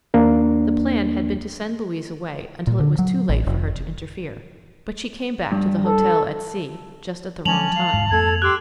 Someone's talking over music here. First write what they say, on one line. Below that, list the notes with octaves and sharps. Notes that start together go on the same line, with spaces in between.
The plan had been to send Louise away until it was too late for her to interfere, but she came back to the hotel at C-- just at the wrong time.
D#2 A#3 D4
A#2
D3
F#3
A1
F1
G2
A4
F3 F#3 G#3 C#4 A5 F7 F#7
F5
E1 G#2 G#3
F2 A3 A#3 A4 G#6
G4 C6 D6 E6 F#6